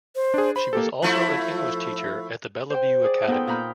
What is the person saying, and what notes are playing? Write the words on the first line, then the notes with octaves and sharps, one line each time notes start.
She was also an English teacher at the Bellevue Academy.
C5
D4 G#4
C5 B5
A#3 G4 A4
F3 A3 E4
C5 G5
G#4 D5
B3 D#4 F4 A4 B4 G5
A#2 A#5 B5 F6 G6